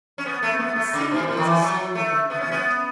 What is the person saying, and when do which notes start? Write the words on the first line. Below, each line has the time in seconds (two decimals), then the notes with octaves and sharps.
You could see there was a story behind it.
0.18 C#4
0.26 B3
0.43 A3
0.60 B3
0.76 A3
0.93 C#3
1.11 B2
1.28 A2
1.37 D#3
1.45 E3
1.62 F#3
1.95 A3
2.30 B3
2.40 C#4
2.52 B3